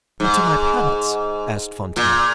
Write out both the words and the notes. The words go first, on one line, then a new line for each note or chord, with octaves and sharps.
"What are my palettes?" asked Fantine.
G#2
A#2